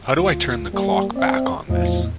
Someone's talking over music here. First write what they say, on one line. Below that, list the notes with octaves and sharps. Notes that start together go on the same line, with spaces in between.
How do I turn the clock back on this?
D2 F4
G3 A#3
C4 D5 E5
E2 A2 F3 D#5